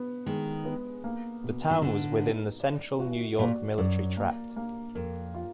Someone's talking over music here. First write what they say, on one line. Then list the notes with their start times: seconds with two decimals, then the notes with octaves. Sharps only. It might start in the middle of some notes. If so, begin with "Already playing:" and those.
The town was within the Central New York Military Tract.
Already playing: B3
0.26 D#3 G#3
0.65 B3
1.04 A#3
1.44 B2
1.71 D#3
1.82 D3 D#4
2.21 D#4
2.60 D5
3.00 F#4
3.39 A#2 D5
3.78 F#2 D5
4.17 A#3
4.56 A#3
4.95 F2 A#4
5.34 F4